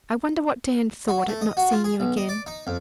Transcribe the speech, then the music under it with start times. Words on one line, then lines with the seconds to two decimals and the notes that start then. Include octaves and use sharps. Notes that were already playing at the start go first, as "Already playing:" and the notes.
I wonder what Dan thought at not seeing you again?
1.08 F#4
1.28 A3
1.41 D#5
1.57 F#4
1.72 F4
1.84 G#4
2.00 B1
2.17 D#5
2.29 D5
2.46 D#4
2.67 F2